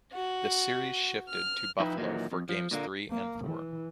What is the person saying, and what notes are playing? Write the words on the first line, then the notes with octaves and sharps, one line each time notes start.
The series shifted to Buffalo for games three and four.
F#4
F6
F3 D#4 E4 B4 G5
A#2 D#3 E3 F#3
F2
F3
A#2 D3 A#3
A#3
E3